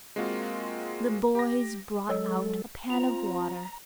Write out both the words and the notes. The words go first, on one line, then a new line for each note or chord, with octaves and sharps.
The boys brought out a pan of water.
G#3 A#3 C4 F4 F#4 A#4
G4 A#6
F#3 G#3 A4
C4 F4 A#5